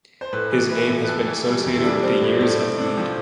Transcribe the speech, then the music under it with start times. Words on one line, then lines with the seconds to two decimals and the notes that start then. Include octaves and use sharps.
His name has been associated with the Years of Lead.
0.21 C5
0.33 A2 B4
0.51 E3 B4
0.70 A3 B4
0.89 A2
1.04 B4
1.08 F2 A4
1.27 E3
1.46 G3
1.65 F2
1.77 E4
1.84 G3 D4
2.03 G3 C4
2.21 A2
2.41 A2
2.59 A3 C4
2.78 C3 D4
2.97 F3